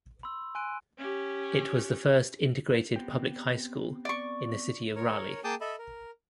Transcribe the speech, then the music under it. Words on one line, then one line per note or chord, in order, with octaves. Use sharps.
It was the first integrated public high school in the city of Raleigh.
B5 C6 E6
G#5 C6 F#6 D7 D#7
C#4 G4
B3 C4 G4
D5 C#6
A#4 C#5
A#3 G#4 G5 A5 D6 D#6
A4 D#5 E5 B5
A#4